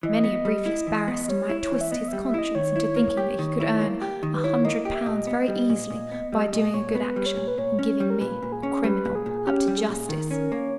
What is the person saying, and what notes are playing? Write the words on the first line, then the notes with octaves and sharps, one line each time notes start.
Many a briefless barrister might twist his conscience into thinking that he could earn a hundred pounds very easily by doing a good action--in giving me, a criminal, up to justice.'
E3 D#5
B3
G3
E4
E3
B3
D#5
G3 C#5
E4
C#5
E3
E5
B3 D#5
G3 E5
E5
E4 D#5
D#3 C#5
E4
A#3
G4
D#3
E4
A#3
G4
D#3
B4
E4 C#5
A#3 D#5
G4 D#5
E5
A#2 D#5
B3
G3
A#2
A#2
B3
G3 D#5
A#2 D#5
A#2 C#5
B3 B4
G3
C#5
A#2
B4
A#2 C#5
C#4
G3
A#4
A#2 B4
A#2
G#4
C#4
G3 B4
A#2
G#4
A#2
C#4 G4
G3
G#4
A#2
D#3 A#4
C#4 A#4
A#3 C#5